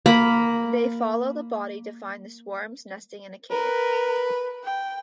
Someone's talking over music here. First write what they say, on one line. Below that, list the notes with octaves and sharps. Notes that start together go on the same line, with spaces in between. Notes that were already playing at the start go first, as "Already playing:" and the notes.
They follow the body to find the swarms nesting in a cave.
A#3 B5
A#4 B4
G5